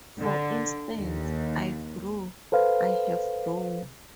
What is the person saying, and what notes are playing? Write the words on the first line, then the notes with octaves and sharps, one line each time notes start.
For instance 'I grow' : 'I have grown'.
D3
D#2
A4 B4 C5 F5